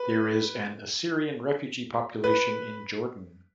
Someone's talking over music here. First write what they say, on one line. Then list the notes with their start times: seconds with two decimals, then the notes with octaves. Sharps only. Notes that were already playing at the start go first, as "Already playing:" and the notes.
There is an Assyrian refugee population in Jordan.
Already playing: B4
2.24 B4